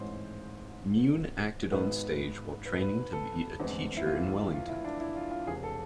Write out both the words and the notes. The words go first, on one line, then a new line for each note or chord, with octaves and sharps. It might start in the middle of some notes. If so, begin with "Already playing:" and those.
Mune acted on stage while training to be a teacher in Wellington.
Already playing: A1 G#2 E3 G#3 C4 C5
G#1 G#2 G#3 B3 B4
B4
B4
A4
F1 E2 D3 G#3 C4
E4
F4
F4
E4
D4
E4
F4
F4
E1 E2 C3 G#4
A4